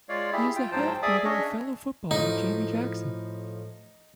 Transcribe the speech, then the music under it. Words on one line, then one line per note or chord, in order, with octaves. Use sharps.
He is the half brother of fellow footballer Jamie Jackson.
G#3 F4 C#5 D5 F5
E4 G4 G#4 E5
F4 G5
G#2 F3 F#3 C5 G5 A5
G#4 D5 E5 D6 D#6
C#4 D4 G#4 C#5 D#5 E5
A2 F3 D#4